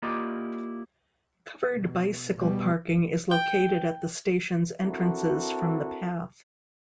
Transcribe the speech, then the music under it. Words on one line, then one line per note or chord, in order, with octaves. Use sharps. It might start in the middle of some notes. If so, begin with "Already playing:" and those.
Covered bicycle parking is located at the station's entrances from the path.
A#3 E4 F4 G4 D5 D#5
B2
B2 G3
G5
C4 D4 E4 F#4 A4 A#4